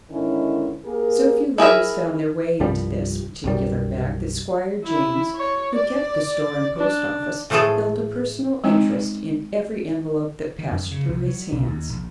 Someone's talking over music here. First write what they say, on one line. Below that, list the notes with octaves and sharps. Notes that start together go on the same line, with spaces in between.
So few letters found their way into this, particular bag that Squire Jaynes, who kept the store and post-office, felt a personal interest in every envelope that passed through his hands.
G#2 D3 D#3 C#4 E4
A#3 G4 G#4 A#4
E4 G#4 A#4 E5
C2 G2 F3 G3
B1 F#2 G3
E4
C#5
D5
D4
A2 E3 F3 A3 G#4 A4
G#3 C4 D#4
D#3
F#2
C#3
C2
F#3
B1
D#2
A#1